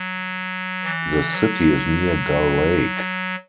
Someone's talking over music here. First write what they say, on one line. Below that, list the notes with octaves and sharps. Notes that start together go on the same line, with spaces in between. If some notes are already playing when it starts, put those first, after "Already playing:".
The city is near Gull Lake.
Already playing: F#3
E3
F#3